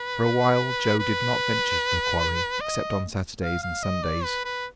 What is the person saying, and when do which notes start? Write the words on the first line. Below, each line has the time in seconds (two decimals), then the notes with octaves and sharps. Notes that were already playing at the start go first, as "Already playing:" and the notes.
For a while Joe did not venture to the quarry except on Saturdays and Sundays.
Already playing: B4
0.99 B4
2.61 D#5
3.43 F5
3.63 F5
3.83 D#5
4.03 D5
4.24 B4
4.45 B4